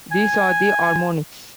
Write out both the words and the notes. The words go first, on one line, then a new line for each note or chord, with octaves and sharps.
These are the harmonics.
G#5